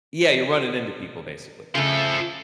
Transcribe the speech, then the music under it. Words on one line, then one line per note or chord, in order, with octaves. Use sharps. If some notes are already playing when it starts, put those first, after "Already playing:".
Yeah, you're running into people, basically.
C#3 F3 A3 A4